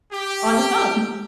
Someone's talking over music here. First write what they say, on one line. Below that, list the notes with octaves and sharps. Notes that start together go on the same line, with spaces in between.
on the phone.
G4